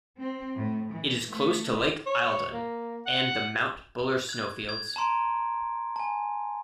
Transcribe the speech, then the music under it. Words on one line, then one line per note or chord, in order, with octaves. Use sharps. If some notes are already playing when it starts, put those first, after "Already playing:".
It is close to Lake Eildon and the Mount Buller snowfields.
C4
A2
E3
A3
C#5
A#3
F#5
F#6 G#6
G#6
A5 A#5 C6 D7
G#5 A5